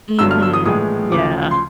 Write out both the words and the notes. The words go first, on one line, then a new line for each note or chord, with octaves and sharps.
Mhm. Yeah.
G1 G2 D3 F#3 E6
F6
E6
D#6
A#1 A2 E3 G#3 D#6
D2 C#3 F3 D6
C6